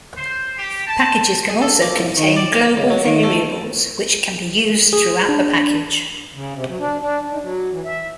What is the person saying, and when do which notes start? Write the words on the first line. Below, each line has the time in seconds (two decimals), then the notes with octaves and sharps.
Packages can also contain global variables which can be used throughout the package.
0.17 C5
0.56 G4
0.87 A5
1.50 G#4
1.62 A4
1.82 A#3
1.99 C2
2.17 D#3
2.37 D5
2.53 A#3
2.77 C#2
2.90 F#3
3.05 D#3
3.23 A3
4.93 G#4
5.29 D4
6.34 C#3
6.53 C3
6.68 F#3
6.79 D4
7.00 D4
7.29 D#3
7.42 F#3
7.70 E3
7.85 E5